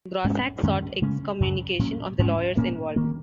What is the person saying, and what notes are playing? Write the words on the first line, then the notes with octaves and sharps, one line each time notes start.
Grossack sought excommunication of the lawyers involved.
G#2 G#3 C#4
F#2 D#3 G#3 C#4
C#3 G#3 C#4
F#2 C#3 F#3
A#2 F#3 C#4
G#2 G#3 C#4
A#2 A#3 C#4
D#3 A#3